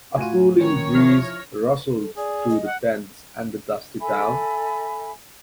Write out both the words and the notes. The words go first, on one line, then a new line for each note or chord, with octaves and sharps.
A cooling breeze rustled through the tents and the dusty town.
A2 F4 F#4 G#5 D#7
D#3 F3 C#4 C#5
F3 E4 F6 A#6
A4
G#4 D5
D#5
F#5
A4 E5 G#5 B5